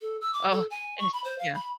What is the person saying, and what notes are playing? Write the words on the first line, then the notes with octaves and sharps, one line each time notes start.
Oh, eh, yeah.
A4
E6
D6
A4
G#5
C#6
B5
C5
F5
B5